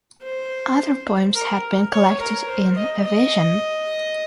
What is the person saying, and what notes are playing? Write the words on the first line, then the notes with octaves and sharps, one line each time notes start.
Other poems had been collected in "A Vision".
C5
A#4
C#5
A#4
C5
D#5
D#5